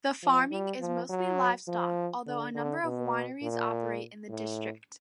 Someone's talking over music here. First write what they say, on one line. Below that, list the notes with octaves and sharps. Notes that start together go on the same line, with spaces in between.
The farming is mostly livestock although a number of wineries operate in the district.
F3
G3
F3
F#3
F3
D3
D3
B2
A#2
A2